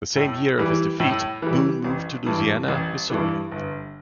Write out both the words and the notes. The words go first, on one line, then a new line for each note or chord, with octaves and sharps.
The same year of his defeat, Boon moved to Louisiana, Missouri.
A2
E3 G3
A2
E3 G3
A1
G2 E3
A1
G2 E3
G1